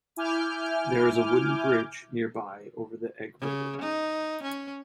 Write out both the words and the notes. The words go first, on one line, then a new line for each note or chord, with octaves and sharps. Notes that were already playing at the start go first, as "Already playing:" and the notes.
There is a wooden bridge nearby over the Eg River.
E4 G#5 D6 F6 G6
C#3
D#4
C#4